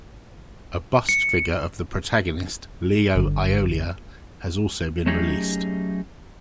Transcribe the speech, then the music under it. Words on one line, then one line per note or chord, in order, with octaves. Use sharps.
A bust figure of the protagonist, Leo Aiolia, has also been released.
C#7
G1 D3
F#3 A3 C#4 D#4 G4 G#4